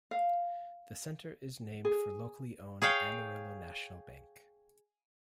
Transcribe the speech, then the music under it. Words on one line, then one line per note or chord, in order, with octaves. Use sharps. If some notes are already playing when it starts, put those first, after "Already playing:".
The center is named for locally owned Amarillo National Bank.
F5
G#4
G#4 C#5 F5 G5